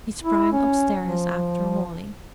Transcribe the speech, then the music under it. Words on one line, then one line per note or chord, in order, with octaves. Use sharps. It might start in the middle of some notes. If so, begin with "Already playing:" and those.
He sprang upstairs after Wally.
E4
C#4
F3